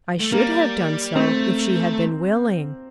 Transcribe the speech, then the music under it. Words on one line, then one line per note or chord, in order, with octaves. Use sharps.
I should have done so, if she had been willing.
A3
G3 A#3
A3 C4